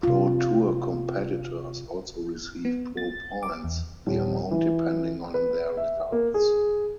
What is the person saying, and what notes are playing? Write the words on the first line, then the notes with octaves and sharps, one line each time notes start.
Pro Tour competitors also receive Pro Points, the amount depending on their results.
C3 F4
B3
A6
D6
E2
D#1
E3
B4
E5
A#3
G#4